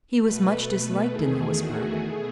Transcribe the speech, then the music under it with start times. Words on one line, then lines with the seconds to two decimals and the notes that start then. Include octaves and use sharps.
He was much disliked in Louisbourg.
0.19 B2 A3 B4
1.09 E2 D#3 A3 G#4
1.54 F#4
1.98 B2 A3 G#4